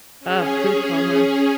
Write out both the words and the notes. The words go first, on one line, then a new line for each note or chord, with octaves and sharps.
uh, food coma.
C#4 G#4